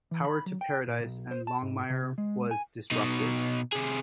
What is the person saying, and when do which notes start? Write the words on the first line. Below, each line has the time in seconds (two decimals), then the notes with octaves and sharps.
Power to Paradise and Longmire was disrupted.
0.11 E3
0.25 B5
0.46 F#3
0.61 G5
0.87 A#2
1.05 B1
1.31 C5
1.47 A5
1.62 G#2
1.90 C3
2.18 G#3
2.51 G#5
2.91 B2 D#4
3.72 C3 G#4